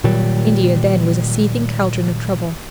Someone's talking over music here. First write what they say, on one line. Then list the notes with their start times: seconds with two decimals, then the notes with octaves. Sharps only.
India then was a seething caldron of trouble.
0.04 A#2 D#3 F#3 G3